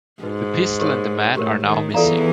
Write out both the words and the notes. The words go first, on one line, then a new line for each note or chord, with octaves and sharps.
The pistol and the man are now missing.
G#2 D#4 F#4 B4
G4 A#4 C#5 F5
A2 G4 A#4 C#5
D#3
E2 E3 F4 A4 D5 F5 A#5